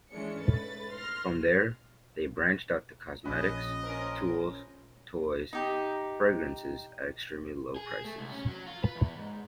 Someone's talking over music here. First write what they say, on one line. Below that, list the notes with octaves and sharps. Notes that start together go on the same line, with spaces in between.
From there, they branched out to cosmetics, tools, toys, fragrances at extremely low prices.
E3 G#3 C#4 D4 C#7
G#2 A3 B4 A6
C6 F6 A#6
A#1 C#4 D#5 B5 F#6
C#4 A#4 C5
D#4 G4
G#4
A3
C2
C#4
F#3
F4
B4
E2
G#2